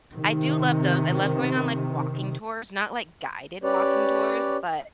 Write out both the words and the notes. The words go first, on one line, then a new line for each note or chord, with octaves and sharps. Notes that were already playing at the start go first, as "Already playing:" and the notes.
I do love those. I love going on, like, walking tours, not, like, guided walking tours, but
C3 D#3
C#4 G4 B4 C#5 D5